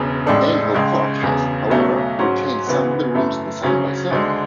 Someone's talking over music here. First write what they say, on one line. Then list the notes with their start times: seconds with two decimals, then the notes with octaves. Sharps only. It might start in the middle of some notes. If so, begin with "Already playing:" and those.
Aynhoe Park has, however, retained the rooms designed by Soane.
Already playing: E1 E2 C#3
0.26 A1 A2 G#3 D4 A4
0.74 C#2 C#3 G#3
1.22 E1 E2 C#3
1.70 B1 B2 F#3 A3 C#4
2.19 G#2 F#3 C#4 F#4
2.66 D2 C#3 E3 B3 F#4
3.14 F#2 E3 A3 E4
3.63 D2 C#3 F#3 C#4
4.11 D2 D3 G#3